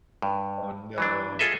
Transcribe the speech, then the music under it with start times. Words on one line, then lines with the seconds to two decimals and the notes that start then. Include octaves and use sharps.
Oh, no.
0.22 G2
0.98 E3 F#3 D4
1.39 F4 G#4 A4 D#5 E5